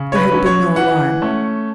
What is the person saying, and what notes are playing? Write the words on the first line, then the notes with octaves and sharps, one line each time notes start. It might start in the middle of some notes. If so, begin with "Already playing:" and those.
There had been no alarm.
Already playing: C#3
C#5
B4
F#3 C#4
C#5
E3 F#5
A3 C#4